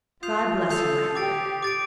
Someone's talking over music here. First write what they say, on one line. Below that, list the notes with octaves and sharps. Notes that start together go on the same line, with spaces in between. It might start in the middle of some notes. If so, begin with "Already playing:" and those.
God bless you, my dear!
F4 D#6 G6 C7 F7
A4 D#6 G6 C7 F7
G4 D6 A6 D7
D6 A6 D7